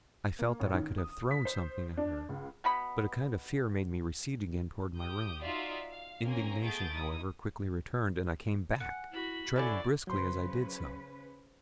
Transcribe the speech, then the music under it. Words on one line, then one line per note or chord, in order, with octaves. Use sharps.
I felt that I could have thrown something at her; but a kind of fear made me recede again toward my room. Indignation, however, quickly returned, and I came back, treading briskly as I did so.
A#3
A1
D#3
D#6
B6
C5
D4
C#2
B2 B3 B5
G4 D#6 G6
D#4 F4 F#4 D5 E5 F5
F5
A#3 C4 C#4 G#5 A#5
A3 B3 G#4 G6 A6 D7
D#4 E4 D#6
F#5 G#5
E4 F#4 B5
D3 C#4 E4 D5 B5
C#3 F#3 C#4 B4 C5 C6 G6